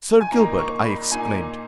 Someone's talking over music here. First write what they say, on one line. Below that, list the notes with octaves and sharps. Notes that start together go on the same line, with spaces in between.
"Sir Gilbert!" I exclaimed.
G#5
A#2 A#3 D#4 A#5
C#6
B5
A#2 A#3 D#4 G#5